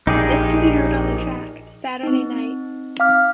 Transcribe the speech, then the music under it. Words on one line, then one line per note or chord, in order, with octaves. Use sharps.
This can be heard on the track "Saturday Night".
A#1 D#4 G4 G#4
C4 D#4
F5 D6 F6